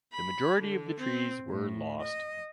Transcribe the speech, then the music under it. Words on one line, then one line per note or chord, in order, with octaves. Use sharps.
The majority of the trees were lost.
B5
D3
C4
A2
D#5